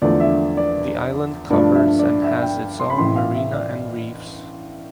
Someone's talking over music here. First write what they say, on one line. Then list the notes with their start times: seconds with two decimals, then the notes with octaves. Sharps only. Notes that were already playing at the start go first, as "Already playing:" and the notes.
The island covers and has its own marina and reefs.
0.02 E2 D3 F3 A3 D5
0.20 E5
0.57 D5
1.50 G2 F3 A3 D4 D5
1.75 E5
1.99 D5
2.24 E5
2.42 G5
2.80 C6
2.90 B5
2.98 A1 A2 E3 C6
3.16 F5
3.35 E5
3.53 D5